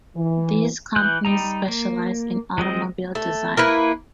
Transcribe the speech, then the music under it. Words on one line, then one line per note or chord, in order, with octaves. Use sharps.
These companies specialize in automobile design.
E3
E3 F#6 G6
G3 D#4 A#5
A#3
F3 G#3 C4 D#5
A3
A#3 E4 B4